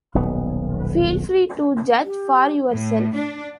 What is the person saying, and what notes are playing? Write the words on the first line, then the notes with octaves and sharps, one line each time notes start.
Feel free to judge for yourself.
D#1 B1 B3
G4
A2
D4